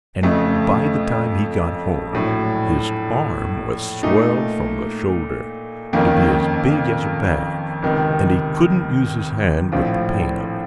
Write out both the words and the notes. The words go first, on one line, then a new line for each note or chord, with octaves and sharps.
And by the time he got home, his arm was swelled from the shoulder to be as big as a bag, and he couldn't use his hand with the pain of it.
F2 C#3 A3
A#1 A2 F#3
A#2 A3 D#4
F2 D#3 A#3 C#4
C#2 C3 D#3
A#1 A2 F3 C4 F4